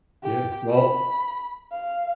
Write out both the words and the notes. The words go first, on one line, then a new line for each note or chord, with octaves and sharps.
Yeah, well,
G4
B5
F5